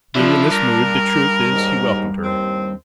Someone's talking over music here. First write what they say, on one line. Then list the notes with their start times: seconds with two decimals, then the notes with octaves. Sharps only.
Being in this mood the truth is he welcomed her.
0.15 D3 F3 D4 E4
0.50 G2 A#4
1.50 D#2 G#2
2.23 D#2 C4